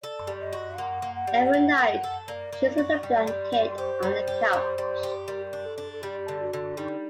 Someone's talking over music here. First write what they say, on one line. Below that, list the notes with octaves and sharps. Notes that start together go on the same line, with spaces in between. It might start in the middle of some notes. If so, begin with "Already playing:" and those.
Every night, she is with a blanket on the couch.
A4 D5
G3
D#5
F#4
A#3 F#5
A#3
F#5
G3
A#3
A#3
A4
A#3 D5
A#3
F#4
G3
G3
G3
G4 C5
G3
G4
G3
G3
G4
G3 A#4
D4
A4
D4
A4
G3 G4
D3
F#4
D3
G3 D#4